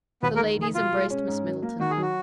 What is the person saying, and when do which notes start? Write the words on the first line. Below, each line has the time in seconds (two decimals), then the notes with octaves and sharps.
The ladies embraced Miss Middleton.
0.23 D#2 B3 B4
0.36 A#3 A#4
0.40 D#3
0.58 F1 G#4
0.75 B2 F4
0.93 G#3
1.10 C#4
1.27 G#2
1.45 F#3
1.62 A#3
1.80 D#3 F#4
1.91 G#4
1.97 F#3 F#4